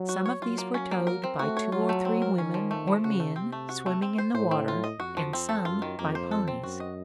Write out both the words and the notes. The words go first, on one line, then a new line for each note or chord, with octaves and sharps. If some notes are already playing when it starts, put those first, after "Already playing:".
Some of these were towed by two or three women or men swimming in the water and some by ponies.
Already playing: F#3
F#4
C#5
F#3 F4
A#3
C#4
A#3
A#4
C4
A3 F#4
C#5
F#3 F4
A3
C4
A#4
D#3 C#4
F3
A3
F3
C#3 F#4
A3
C3 C4
A3
F#4
A3
C4
C5
A2 C5
C4
F4
D#5
F2 F#4
F3
C4
A4
F#2 F4
D#3
F2 A#3
C5
A4
C4
F#2 F#4
D#5